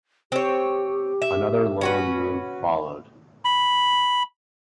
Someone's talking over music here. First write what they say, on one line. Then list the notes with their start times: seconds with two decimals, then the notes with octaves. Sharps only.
Another loan move followed.
0.32 C4 G4 C#5
1.22 E5
1.81 C#4 F#4 B4
3.45 B5